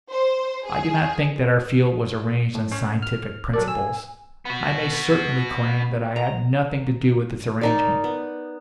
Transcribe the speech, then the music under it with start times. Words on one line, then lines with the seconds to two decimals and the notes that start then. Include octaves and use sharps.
I do not think that our field was arranged on scientific principles; I may certainly claim that I had nothing to do with its arrangement.
0.11 C5
0.66 G#4
2.55 A2
2.72 C#4 C#5
3.02 F6
3.54 F#3 A4 A#4 D5
3.68 G#5 E6
4.45 B3 F#4
6.16 A#5
7.61 D#4 A#4 D5
8.04 B3